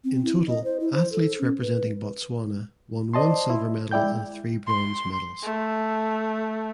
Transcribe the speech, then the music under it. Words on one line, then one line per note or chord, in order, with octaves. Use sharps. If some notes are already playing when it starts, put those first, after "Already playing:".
In total athletes representing Botswana won one silver medal and three bronze medals.
C4
E4
D#5
C5
E4
C5
A4
C#4
B4
C5 D5 D#5 A5 C6
E4
G#3 E4 D5 G5 G6
C6
A3